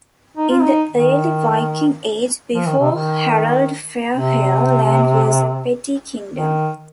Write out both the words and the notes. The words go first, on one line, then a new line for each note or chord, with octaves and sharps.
In the early Viking Age, before Harald Fairhair, Land was a petty kingdom.
D#4
F4
D#4
D#3
F3
D#3
C3
D#3
C3
D#3